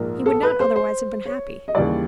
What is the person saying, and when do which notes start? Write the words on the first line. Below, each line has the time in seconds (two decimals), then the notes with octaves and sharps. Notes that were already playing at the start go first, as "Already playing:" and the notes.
He would not otherwise have been happy.
Already playing: A#1 G#2 F3 A#4
0.26 A4
0.43 B4
0.60 C5
0.76 C5
1.25 C#5
1.68 D#5
1.75 D#2 C#3 E3 G3 D5